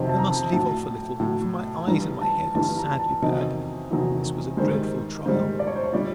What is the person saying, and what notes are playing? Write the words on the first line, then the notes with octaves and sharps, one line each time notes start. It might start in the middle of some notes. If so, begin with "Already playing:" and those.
I must leave off a little; for my eyes and my head are sadly bad.--This was a dreadful trial!
Already playing: F2 C3 D#3 F#3 D#5 E5
A5
A#5
A2 F#3 A5
A2 F#3
G2 E3 G3 A#5
A5
G2 E3 G3 A5
A#5
A5
E2 C3 D#3 F#3 D#5
E2 C3 D#3 F#3
G#2 D#3 G3 C5
G#2 D#3 G3 C5
D5
C#5
C5
C#5
A#2 G3 D5